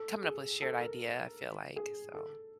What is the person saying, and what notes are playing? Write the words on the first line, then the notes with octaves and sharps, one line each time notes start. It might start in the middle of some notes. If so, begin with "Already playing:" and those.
coming up with a shared idea, I feel like, so
Already playing: A4
G#4
A4
A#4
G#4
A4